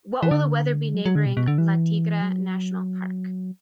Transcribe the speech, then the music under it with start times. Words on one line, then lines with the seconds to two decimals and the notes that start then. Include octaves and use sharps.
What will the weather be neighboring La Tigra National Park?
0.23 E3
0.31 D3
0.95 F#3
1.06 F#3
1.15 D3
1.26 B2
1.37 B2
1.47 D3
1.58 E3
2.22 F#3